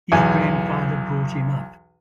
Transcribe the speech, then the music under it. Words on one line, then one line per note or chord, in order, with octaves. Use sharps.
His grandfather brought him up.
B1 E2 G#5